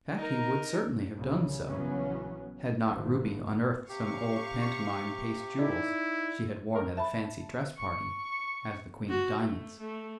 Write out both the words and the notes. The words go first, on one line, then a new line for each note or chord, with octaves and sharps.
In fact he would certainly have done so, had not Ruby unearthed some old pantomime paste jewels she had worn at a fancy dress party as the Queen of Diamonds.
D#4 A#4
C2 A#2 C#3
A#1 C#3 E3 F#3 B3 C#4
G#1
C3 G4 F5 C#6
D#4 E4 D5
A#4
E5 A5 B5
C#6
F#4
A3
A3